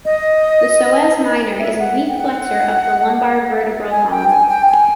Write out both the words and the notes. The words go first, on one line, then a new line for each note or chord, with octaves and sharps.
The psoas minor is a weak flexor of the lumbar vertebral column.
D#5
E5
F#5
G5
F#5
G#5
G5
G#5
G5
G#5